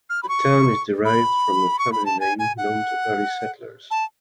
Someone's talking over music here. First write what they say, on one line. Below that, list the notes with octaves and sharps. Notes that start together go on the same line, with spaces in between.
The town is derived from a family name known to early settlers.
F6
B5
C#6
B5
C#6
B5
A5
G#5
G#5
F#5
A5